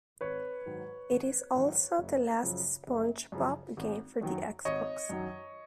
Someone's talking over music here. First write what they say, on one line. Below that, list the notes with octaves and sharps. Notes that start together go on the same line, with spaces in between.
It is also the last SpongeBob game for the Xbox.
G#1 B4 C#5
G#2 D#3 F#3
G#1
G#2 D#3 F#3
F#1
F#2 C#3 F3
F#1
F#2 C#3 F3
G#1
F#2 D#3 F#3
G#1 C#5 D#5
F#2 D#3 F#3